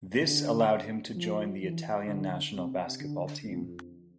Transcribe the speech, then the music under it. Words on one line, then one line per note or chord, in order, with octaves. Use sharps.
This allowed him to join the Italian national basketball team.
D3
F3
E3
D3
C3
D3
F2